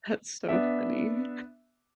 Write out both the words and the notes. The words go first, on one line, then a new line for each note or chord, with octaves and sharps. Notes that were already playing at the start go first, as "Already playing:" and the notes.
That's so funny.
B3 D4 E5